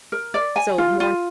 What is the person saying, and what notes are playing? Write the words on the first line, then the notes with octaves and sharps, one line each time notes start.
So, more
A#4
D5
G#5
F4
F4